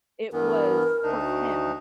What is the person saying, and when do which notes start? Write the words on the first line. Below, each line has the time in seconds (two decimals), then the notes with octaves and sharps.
it was for him,
0.32 G2 E3 B3 A#4
1.03 D2 D4 D#4
1.22 F#4